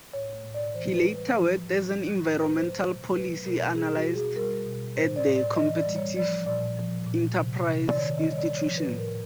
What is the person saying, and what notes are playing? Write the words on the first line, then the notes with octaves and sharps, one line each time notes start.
He later worked as an environmental policy analyst at the Competitive Enterprise Institute.
A2 C#5
A2
D5
E3 C5
B4
G3
B4
F3
A2
F3
A2
B4
F#3 C5
B2
F#3 B4
B2 A#4
G3 G#4
F#4
B2
G#4
G3 A#4
B2
A2 C5
D5
A2
D5
E3 D#5
D5
G3
C#5
F3 D5
A#2 D5
F3
A#2
C3
C3
D5
D#3 C#5
D#5
G3 C#5
D5
F3 C#5
B4
A2
A#4